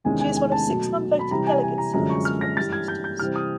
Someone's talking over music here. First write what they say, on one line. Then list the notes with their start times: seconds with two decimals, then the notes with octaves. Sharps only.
She is one of six non-voting delegates to the House of Representatives.
0.04 E2 C3 D#3 G#3 C#4 G#5
0.20 G#5
0.36 G#5
0.52 A5
0.68 B2 F#3 A3
1.19 B5
1.31 C3 E3 G3 A#5
1.47 G#5
1.62 G#5
1.78 A#5
1.94 F#2 D3 F3 G#3 C#4 A#5
2.10 C#6
2.25 F6
2.41 A#6
2.57 G2 E3 G3 A6
2.73 G#6
2.88 G6
3.04 G6
3.19 C3 E3 G3 C4 F6
3.36 D#6